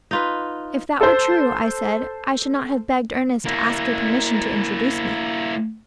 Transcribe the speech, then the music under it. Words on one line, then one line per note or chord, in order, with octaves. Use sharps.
"If that were true," I said, "I should not have begged Ernest to ask your permission to introduce me."
D#4 F4 B4
A4 C5
A#3 E4